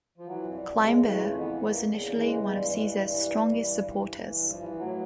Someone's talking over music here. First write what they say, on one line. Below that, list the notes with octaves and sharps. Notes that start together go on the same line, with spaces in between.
Cimber was initially one of Caesar's strongest supporters.
F3
E3 F#3
F2
G3
F2
C#3 G#3
E3
A3
F2
E3 B3
E2
A#3
E2
C#3
E3
G#3
E2
G2 G3
E3 G#3
G3
G2
E3 G3
G2
E3
G2
E3
G2
E3
G2
F3
E3
A2 F#3